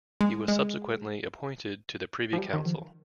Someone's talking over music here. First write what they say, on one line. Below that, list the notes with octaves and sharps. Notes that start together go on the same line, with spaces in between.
He was subsequently appointed to the Privy Council.
G#3
G#3
F3
G3
D#3
F3